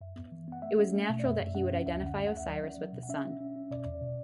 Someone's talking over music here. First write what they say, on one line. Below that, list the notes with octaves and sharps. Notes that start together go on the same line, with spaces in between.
It was natural that he would identify Osiris with the sun.
F#2 E5
B3
E3
B3 F#5
A3 E5
C#4
A3
B2
D5
F#2 E5
F#2
C#4 F#5
C#4
D2 E5
D3 F#5
A3
D2 F#5
E5
F#3 D5
E5
C#4
F#3
B2
F#5
C#4 E5
C#4
C#4
C#4
B2 D5
E2
B2